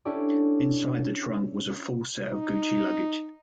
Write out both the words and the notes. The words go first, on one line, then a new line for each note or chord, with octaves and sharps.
Inside the trunk was a full set of Gucci luggage.
C#4 D4 E4 G4 A4 D5
D#4